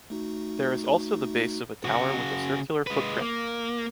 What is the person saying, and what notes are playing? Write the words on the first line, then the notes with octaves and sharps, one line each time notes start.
There is also the base of a tower with a circular footprint.
A3 D#4 F#4
C#3 F#4
G#3 B4
A#3